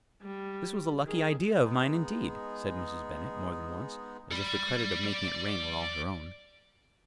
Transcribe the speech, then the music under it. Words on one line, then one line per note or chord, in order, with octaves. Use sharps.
"This was a lucky idea of mine, indeed!" said Mrs. Bennet more than once, as if the credit of making it rain were all her own.
G3
D#3 G#4
G#3 B3 D#4 G#4
D5 B5